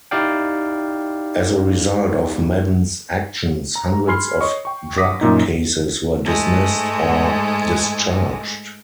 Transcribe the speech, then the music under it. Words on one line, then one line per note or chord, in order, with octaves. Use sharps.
As a result of Madden's actions, hundreds of drug cases were dismissed or discharged.
D#4 E4 G4 D5 F5 G5
A#5
G#5 B5 C6 F6 C7
C#5 D#5 C#6
G5 C#6
D6 D#6 A#6 B6
F#2 A#2 D#4
G#2 G#3 A3